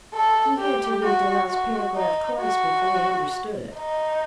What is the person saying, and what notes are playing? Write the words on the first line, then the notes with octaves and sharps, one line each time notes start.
He had to read the last paragraph twice before he understood it.
A4
G4
F#4
F#4
D#4
F#4
D#4